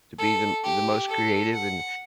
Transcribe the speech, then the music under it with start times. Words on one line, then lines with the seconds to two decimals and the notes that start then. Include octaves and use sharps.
to be the the most creative, and,
0.19 A4
0.63 G4
1.08 A4
1.53 F#5